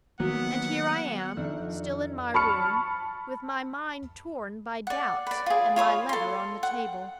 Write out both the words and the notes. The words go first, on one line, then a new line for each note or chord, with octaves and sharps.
And here I am, still in my room, with my mind torn by doubts, and my letter on the table.
D#3 F#3 A#3 B3 F#5
F2 D#3 D4 E5 F6
A5 B5 C#6 F6 C#7
D5 F#5
B4 D5
F4 G#4
F4 C#5 B5 D#6
A4 C6
F#5